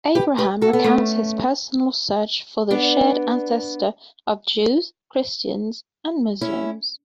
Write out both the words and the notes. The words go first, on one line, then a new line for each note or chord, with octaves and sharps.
"Abraham" recounts his personal search for the shared ancestor of Jews, Christians, and Muslims.
G4 B4
G4 B4
F#4 A4
B3
A3 C#4
B3 D4
C#4 E4